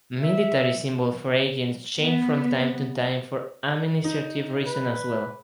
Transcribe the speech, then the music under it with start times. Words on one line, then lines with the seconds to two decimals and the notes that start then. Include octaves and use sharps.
Military symbols for agents change from time to time for administrative reasons as well.
0.20 E5
2.00 B3
4.04 D#4
4.66 B4